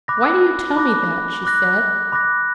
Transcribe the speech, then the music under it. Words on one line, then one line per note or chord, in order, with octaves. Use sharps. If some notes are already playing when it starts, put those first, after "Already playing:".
"Why do you tell me that?" she said.
B5 D6 F#6 A#6
B5 D6 F#6 A#6
B5 D6 F#6 A#6
B5 D6 F#6 A#6